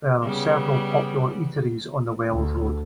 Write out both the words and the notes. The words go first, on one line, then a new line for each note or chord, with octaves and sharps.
There are a several popular eateries on the Wells Road.
C#3 G3 B3
D2